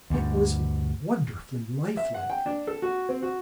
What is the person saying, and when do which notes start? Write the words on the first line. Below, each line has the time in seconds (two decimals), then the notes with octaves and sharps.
It was wonderfully life-like.
0.10 D2 G2
1.97 E5
2.14 F#5
2.30 G5
2.46 D4
2.67 A4
2.82 F#4
3.09 C4
3.22 F#4